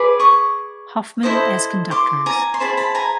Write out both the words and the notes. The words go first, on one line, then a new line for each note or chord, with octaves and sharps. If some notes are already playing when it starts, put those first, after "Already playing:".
Hoffmann as conductors.
Already playing: G#4 B4 D5
C#6 D#6
E4 A4 C5 D#5
C6 D6
G#5 A#5
C6
E4 G#4 C5 A5 B5
A5 B5
G#5 A#5